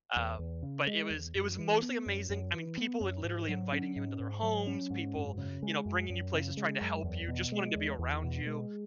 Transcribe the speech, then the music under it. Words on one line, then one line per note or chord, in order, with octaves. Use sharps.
Um, but it was it was mostly amazing, I mean, people li literally inviting you into their homes, people, you know, bringing you places, trying to help you, just wanting to be around you.
E2
E2
C#3
G#3
E2
F#2
E3
B3
F#2
F#2
E3
B3
F#2
G#2
F#3
C#4
G#2
G#2
F#3
C#4
G#2
F#2
C#3
G#3
F#2
F#2
C#3
G#3
F#2
E2
B2
G#3
E2
E2
B2
G#3